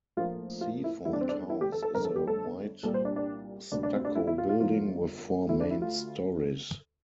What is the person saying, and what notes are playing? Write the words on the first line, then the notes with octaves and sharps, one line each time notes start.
Seaford House is a white stucco building with four main stories.
A#1 A2 F3 A#3 F4
F4
E4
E2 D3 G3 E4
D4
C4
D4
E4
G4
A4
A4
G1 F2 D3 A#4
A4
G4
A4
C2 A#2 G3 A#3 A4
C5
D4
D4
D2 C3 G3 A#3 D4
D4
C4
D4
E4
E4
F4
F4
G1 F2 D3 F3 A#3 F4
D2 D3 A3 E4
D4
E4
F4